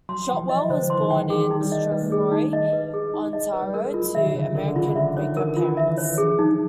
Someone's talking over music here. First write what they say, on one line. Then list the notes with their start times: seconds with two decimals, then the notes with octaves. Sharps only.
Shotwell was born in Strathroy, Ontario, to American Quaker parents.
0.09 F#3 C6
0.29 E3 G5
0.39 F3
0.49 D#5
0.69 D3 C5
0.90 E3 C6
1.01 D#3
1.11 G5
1.30 D#3 G#4
1.51 D#4
1.61 G3
1.72 D#5
1.91 G#3 B4
2.01 A3
2.10 G#3 G#4
2.32 D#4
2.53 D#5
2.73 B4
2.94 G#4
3.14 D#4
3.33 D#5
3.53 B4
3.62 G3
3.74 G#3 A#4
3.94 F4
4.04 F#3
4.15 D#3 E5
4.26 D3
4.35 C#3 C#5
4.55 D3 A#4
4.68 D3
4.76 C#3 F4
4.96 D3 E5
5.17 D#3 C#5
5.37 E3 A#4
5.57 E3 F4
5.77 E5
5.87 E3
5.98 C#5
6.13 E3
6.18 F3 G#4
6.38 F#3 D#4